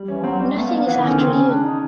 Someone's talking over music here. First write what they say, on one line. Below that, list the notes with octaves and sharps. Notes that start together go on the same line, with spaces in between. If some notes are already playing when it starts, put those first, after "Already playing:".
Nothing is after you.
Already playing: G3
E3 C#4
F#3 C4
G3 C4
A3 B3
A#3
A#3
E3 B3
D#3
D3 C#4
C#3 C4
C#4
D4
D#4